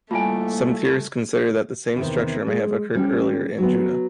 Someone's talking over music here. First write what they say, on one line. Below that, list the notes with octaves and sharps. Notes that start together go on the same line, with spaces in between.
Some theorists consider that the same structure may have occurred earlier in Judah.
G3 A3 A#3 E4 F4 D#5 G#5 A5
E2 C3 D#3
G#3
G3 C#4 G4
F#3 B3